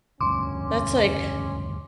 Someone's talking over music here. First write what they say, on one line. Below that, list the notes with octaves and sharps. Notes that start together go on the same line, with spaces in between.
that's like
E1 D2 G2 C#4 C6 D6